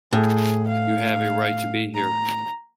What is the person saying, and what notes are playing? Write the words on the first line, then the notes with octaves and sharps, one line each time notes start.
You have a right to be here.
A2 G#4
F5
A#5